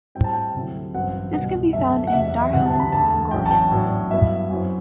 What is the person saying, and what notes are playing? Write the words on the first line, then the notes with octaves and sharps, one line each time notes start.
This can be found in Darhan, Mongolia.
A2 G3 C4 E4 G5
A5
G5
D2 C3 F#3 A3 E4
A1 G2 F#3 C4 F#5
C2 B2 G3 B3 F#5
F#2 D3 A3 C4 E5
F#5
E2 C3 F#3 E5
E5
D2 C3 E3 G3 F#5
A5
B5
E2 D3 A3 A5
A1 A2 F#3 G5
A5
G5
A2 F#3 B3 D4
G2 F#3 B3 E4 E5
F#2 F#3 C4 E4